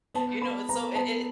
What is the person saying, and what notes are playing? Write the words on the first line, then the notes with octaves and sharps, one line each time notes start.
You know, it's so it it
B3 A5
B3 B5
B3 A#5
B3 A5